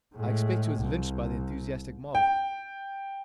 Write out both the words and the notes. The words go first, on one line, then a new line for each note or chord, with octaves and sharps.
I expect he was lynched by the enthusiastic mob.'
A2 G#3
C2
G5